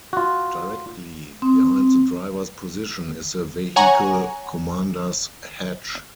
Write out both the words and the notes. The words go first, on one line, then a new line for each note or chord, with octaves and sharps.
Directly behind the driver's position is the vehicle commander's hatch.
F4 F#4
C4
C#5 F#5 G#5 A#5 C#6